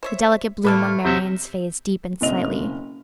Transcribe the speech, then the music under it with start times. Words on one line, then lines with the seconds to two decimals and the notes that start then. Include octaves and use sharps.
The delicate bloom on Marian's face deepened slightly.
0.03 C5 C#5 E5
0.65 A2 D3 A3 A#3 A4 B4
1.05 E2 C3 D#4 E5
2.21 F#1 B1 C4 D#5 F7